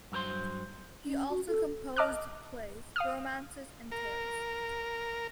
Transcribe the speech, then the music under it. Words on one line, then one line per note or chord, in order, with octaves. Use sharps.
He also composed plays, romances and tales.
G2 F#3 A#4 C5 C6
C#4
F#4
A4
D#5 A5 D6 F6 F#6
F5 D#6 F6
A#4